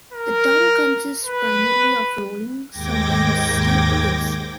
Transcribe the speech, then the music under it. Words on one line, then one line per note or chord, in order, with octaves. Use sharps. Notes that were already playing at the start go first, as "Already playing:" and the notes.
The town consists primarily of rolling, sometimes steep, hills.
A#4
B4
D#2 G#2 G5 D6 G#6 A#6